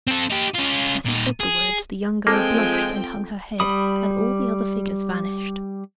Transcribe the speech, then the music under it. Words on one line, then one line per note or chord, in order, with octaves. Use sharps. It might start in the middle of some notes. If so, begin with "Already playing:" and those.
As he said the words the young girl blushed and hung her head, and all the other figures vanished.
C4 A4
D#4 G4
C#4 F4
A#2 D#4
G#4
F3 G#3 A#3 C4 A4 G5
G3 B5 D#6